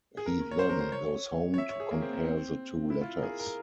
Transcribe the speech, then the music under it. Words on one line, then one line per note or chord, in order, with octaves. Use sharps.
He then goes home to compare the two letters.
G#4
A#4
C#5
C5
A#4
C5
C#5
C#5
E5
C#5
G#4
A#3
C4
A#3
C4
E4
F4
A#4
G#4
A#4